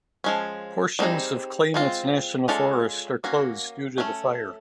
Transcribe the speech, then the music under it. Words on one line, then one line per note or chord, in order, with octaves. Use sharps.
Portions of Klamath National Forest are closed due to the fire.
F3 G#3 C#4
G3 C4 D#4 G#4
G#3 C4 F4
G#3 C#4 F4 A4 D5
A#3 C#4 F#4
F#3 A3 C#4